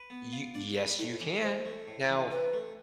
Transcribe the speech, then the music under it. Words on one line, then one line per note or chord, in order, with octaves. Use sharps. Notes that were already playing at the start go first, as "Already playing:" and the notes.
You yes, you can. Now
Already playing: B4
B3
F4
D4 D5
B4
A2 E4
F4
E3
D4 C5
A3
A2
E3
D4 B4
A3